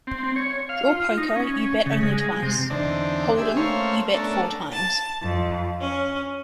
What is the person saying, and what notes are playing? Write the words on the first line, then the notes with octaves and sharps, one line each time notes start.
Draw poker, you bet only twice; hold 'em, you bet four times.
C4
C4
C#5
F5
F4
D#4
C#4
C#3
G#3
C3
E2 D3 C4 D4 D#4
G4 G#4 E5
A3 A#3 C#4 C5 C#5 F5
A3 B3 C#4 D4 A4 A#4
A5
F2
C#4